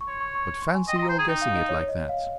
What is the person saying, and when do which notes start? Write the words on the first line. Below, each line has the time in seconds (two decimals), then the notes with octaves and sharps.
But fancy your guessing it like that.
0.01 C#6
0.08 C#5 C6
0.21 C#6
0.35 C#6
0.48 C#6
0.62 C6
0.74 G#5
0.88 D#5 G5
0.96 C6
0.98 D#5
1.02 A#5
1.09 C5
1.16 G#4 A#5
1.29 D#4 G5
1.41 F5
1.56 D#5
1.69 C#5
1.81 C#5
1.89 D#5
2.09 F5